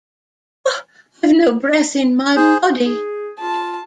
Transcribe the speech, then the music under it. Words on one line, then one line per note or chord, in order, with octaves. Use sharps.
I've no breath in my body!
D#4 G#4 C5
G#4
F4 A5